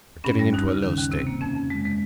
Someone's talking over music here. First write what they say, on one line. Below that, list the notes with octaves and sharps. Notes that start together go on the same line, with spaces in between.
You're getting into a low state.
G2 C#4
G3
D#2 D#4
C#3
D#3 C#4
D#2
C3 C4
A#3
F2 C#4
F2
G#3
G#3